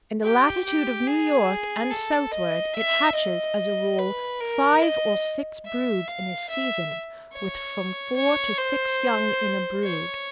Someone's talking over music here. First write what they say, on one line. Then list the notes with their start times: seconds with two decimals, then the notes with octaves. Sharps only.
In the latitude of New York and southward it hatches, as a rule, five or six broods in a season, with from four to six young in a brood.
0.23 G4
0.65 G4
1.07 G#4
1.90 A4
2.32 D#5
2.74 E5
3.15 D#5
3.99 B4
4.41 A#4
4.82 D#5
5.66 E5
6.07 F5
6.49 E5
7.33 C#5
8.16 C#5
8.58 C5
9.83 C#5